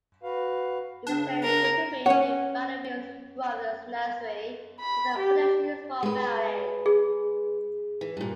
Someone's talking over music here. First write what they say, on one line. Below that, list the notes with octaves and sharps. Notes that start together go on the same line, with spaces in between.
It was then cultivated by the Williams Brothers nursery as a potential export variety.
F#4 B4 F5
C#3 D4
A#4
C#4 C#5 F#5
B5
G4
G#3 B4
G#4
E3
G2 A#2